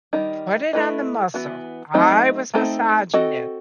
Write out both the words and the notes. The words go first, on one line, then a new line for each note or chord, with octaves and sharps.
put it on the muscle. I was massaging it.
D#3 G3 D#4
A3 E4 B4 D#5
E3 B3 F#4
F#3 A3 C4 D#4
A3 C4 D#4 A4 C5
C4 F#4 A4 D#5